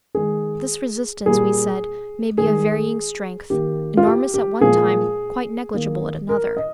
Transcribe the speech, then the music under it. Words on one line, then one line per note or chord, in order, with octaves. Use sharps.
This resistance, we said, may be of varying strength, enormous at one time, quite negligible at another.
D#3 G#3 G#4
A#2 G3 A#3 G#4
D#3 G#3 G#4
D#3 A#3 G4
F4
G4
G4
A#2 F3 G#3 G#4
D#3 A#3
A#4
D#5